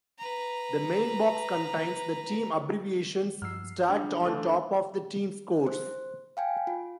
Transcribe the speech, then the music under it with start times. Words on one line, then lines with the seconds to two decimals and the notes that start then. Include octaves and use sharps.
The main box contains the team abbreviations, stacked on top of the team scores.
0.18 B4 A#5
3.42 G2 F3 E6 F6 C7
3.89 G3 D4
4.23 D3 E3 A3
5.67 C5
6.37 F5 G5 G#5
6.67 F4